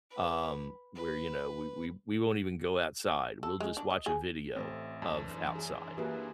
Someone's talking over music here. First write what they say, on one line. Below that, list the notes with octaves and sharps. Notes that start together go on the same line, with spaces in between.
um, where, you know, we we we won't even go outside, we'll just watch a video of outside.
B4
B4
A4
G#3
D4
D#5
G#4
A1 A3 C4
F#2 E3 D4 A4
G#4
F#3 A#3 E4 G4 G#4 B4